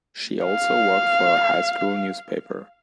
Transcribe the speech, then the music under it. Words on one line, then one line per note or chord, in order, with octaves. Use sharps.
She also worked for her high school newspaper.
F5